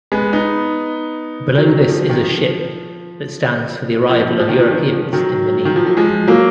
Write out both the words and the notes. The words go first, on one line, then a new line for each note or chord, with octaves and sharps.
Below this is a ship, that stands for the arrival of Europeans in Benin.
G#3 B3
B3 D#4
D#3 F#3
F3
D#3
F3
F3
F3
D#3
F3
D#3
F3
D#3 F#3
D#3
F3
F#3
F3 G#3
F#3 A#3